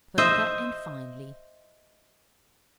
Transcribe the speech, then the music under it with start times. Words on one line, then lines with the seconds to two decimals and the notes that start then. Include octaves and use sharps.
Further, and finally.
0.18 C5 D#5 E5